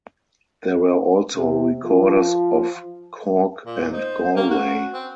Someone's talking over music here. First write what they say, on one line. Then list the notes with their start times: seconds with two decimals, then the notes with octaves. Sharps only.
There were also Recorders of Cork and Galway.
1.35 C3
1.84 F3
3.66 A#2
3.92 D#4 C5
4.36 A#3 C#4
4.51 F#4
4.93 C4